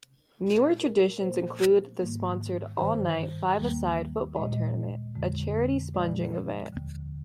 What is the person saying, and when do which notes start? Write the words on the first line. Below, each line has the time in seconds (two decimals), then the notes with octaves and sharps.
Newer traditions include the sponsored all night five-a-side football tournament, a "charity sponging" event.
0.41 A#2 G#3
0.81 A#4
1.20 A#2 F3 A#3 C5
1.99 G#2 D#3 G3 A#3
2.78 G2 D#3 G3 C5
3.58 D#2 D#3 G3 A#3
4.36 A#2 G#3 D#5
5.15 F2 D3 G#3
5.94 A#2 F3 G#3 D5
6.73 D#2 D3 G3